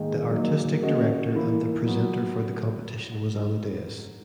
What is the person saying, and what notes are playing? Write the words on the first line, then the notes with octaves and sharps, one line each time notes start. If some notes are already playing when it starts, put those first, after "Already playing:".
The artistic director and the presenter for the competition was Amadeus.
Already playing: G#2 D#3 A#3 D#4 G#4
F#3 A#3 D#4 G#4
A#3 C#4 F#4 A#4 D#5
E3 A#3 E4
F#3 B3 F#4